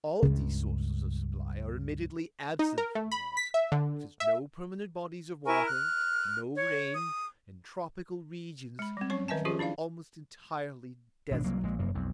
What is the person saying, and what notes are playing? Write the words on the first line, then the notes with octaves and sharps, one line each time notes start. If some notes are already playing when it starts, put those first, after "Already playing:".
All these sources of supply are admittedly absent from Mars, which has no permanent bodies of water, no rain, and tropical regions which are almost entirely desert.
C#2 G2 C#3
D#4
A#4
A3
B5
B6
E5
D3
E5
E4 A#4 G#5 C#6
F6 F#6
C#5
D#6
G#3 B5
G3 C4
F#3 C#4 C#5 C#6
D#3 B4 D#5 E5 G#5 A5
F3 C#4 F4 G4 G#4
D4 E4 D5 F5
G#1 B2 G#3 D4
C2 F#3 A#3
A#1 G#3
F1 F#2 A#3
B1 F2